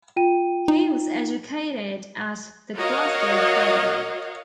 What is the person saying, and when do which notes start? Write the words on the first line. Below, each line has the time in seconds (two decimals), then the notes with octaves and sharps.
He was educated at The Glasgow Academy.
0.16 F4 G5 D#7
0.68 D#4
2.79 F#4 A#4 C#5 D#5 F5 F#5